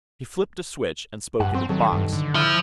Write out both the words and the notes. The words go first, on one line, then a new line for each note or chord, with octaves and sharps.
He flipped a switch and spoke into the box.
G2 F#5
B3 C4 C5
D#3 F#3 A4
G2
D3
F3 E4